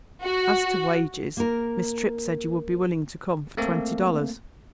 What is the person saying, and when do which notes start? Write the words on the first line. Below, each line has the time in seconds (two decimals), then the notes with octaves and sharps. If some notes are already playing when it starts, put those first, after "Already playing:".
As to wages, Miss Tripp said you would be willing to come for twenty dollars.
0.23 F#4
1.37 A#3 A#4
3.57 A3 A#3 C4 A4